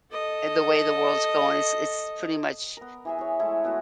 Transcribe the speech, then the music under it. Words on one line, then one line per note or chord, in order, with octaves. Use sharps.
eh, the way the world's going, it's it's pretty much
A4 D#5
B3 A#4
E3 G#4 E5
G#4 C#5
G#3 A3 E4 A4
A3 B3 E4 F#4